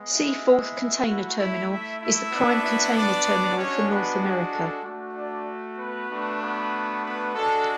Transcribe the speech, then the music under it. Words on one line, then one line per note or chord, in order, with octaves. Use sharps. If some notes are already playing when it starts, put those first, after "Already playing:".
Seaforth container terminal is the prime container terminal for North America.
Already playing: G#3 B3
E4 E5
A3 E4 F#4 F#5
E4 E5
E4 E5
E4 E5
B3 D4 F#4
E4 E5
D4 D5
G#3 C#4 D4 F#4 C#5
B3 B4
G#4
A4
A3 D4 F#4
D4 D5
B3 B4
A3 D4 F#4
B3 B4
B3 B4
G#3 D4 F#4 A4